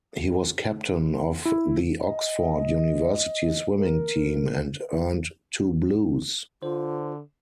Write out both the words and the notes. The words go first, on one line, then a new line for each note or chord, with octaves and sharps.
He was Captain of the Oxford University Swimming Team and earned two Blues.
E4
D#5
A#4
D3 F4 C5